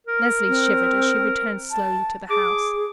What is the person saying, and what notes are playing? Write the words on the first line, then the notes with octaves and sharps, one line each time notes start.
Leslie shivered as she returned slowly to the house.
A#4
C4
A5
G#4 D6